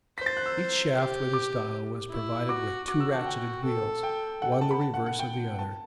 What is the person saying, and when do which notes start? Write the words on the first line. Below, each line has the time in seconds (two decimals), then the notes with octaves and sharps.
Each shaft with its dial was provided with two ratchet wheels, one the reverse of the other.
0.18 C5 B6
0.26 A6
0.37 F#6
0.46 E6
0.94 G4
1.33 D6
2.10 E4
2.49 F#4 D6
2.87 F#4 D6
3.00 E6
3.14 A5
3.22 F#5
3.26 G5
3.64 A4
4.03 G5
4.42 F#5
4.52 G5
4.61 A5
4.71 B5
4.81 A5
4.94 F#5
5.06 F#5
5.19 G5
5.59 A5